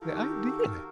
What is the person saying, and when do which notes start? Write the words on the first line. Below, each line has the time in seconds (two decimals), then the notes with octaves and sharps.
The idea!
0.02 D#3 F#4 G4 A4 A#4 F5